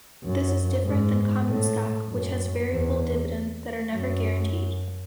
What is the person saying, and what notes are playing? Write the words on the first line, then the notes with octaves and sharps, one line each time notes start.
This is different than common stock, which has variable dividends that are never guaranteed.
F#2
G#2
A2
F#2
E2
F#2